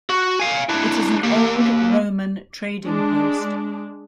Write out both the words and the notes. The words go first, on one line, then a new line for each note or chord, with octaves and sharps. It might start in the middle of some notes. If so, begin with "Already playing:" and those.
It is an old Roman trading post.
F#4
F5 G#5
D4 E4
A#3 G4
G#3 D4